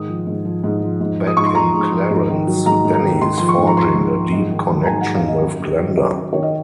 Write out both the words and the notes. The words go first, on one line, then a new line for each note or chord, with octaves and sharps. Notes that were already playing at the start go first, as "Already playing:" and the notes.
Back in Clarence, Danny is forging a deep connection with Glenda.
Already playing: G#2 D#3 D#6
F3
G#2
F3
G#2
F3
G#2
F3
D#6
G#2 C#6
C6
F3 A#5
G#2
F3
G#2
D#3
F#3
G#2 A#5
G#2
A#5
D#3
G#2 C6
F3 C6
C#6
G#2
A#5
F3 C6
G#2
F3
G#2
D#3
F#3
A#5
G#2 G#5
G#2 F#5
F5
D#3 D#5
F#2
D#3
F#3
F#2 C#5
F#2
D#3 C#5
D#5